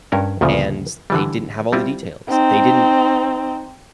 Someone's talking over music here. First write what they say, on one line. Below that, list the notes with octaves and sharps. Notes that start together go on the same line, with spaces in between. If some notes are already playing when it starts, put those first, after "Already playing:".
and they didn't have all the details, they didn't
G2 C#4 A#4
D2 A#2 C#3 F3
D3 E3 G3
G3 C4 E4 F4
C4 D#4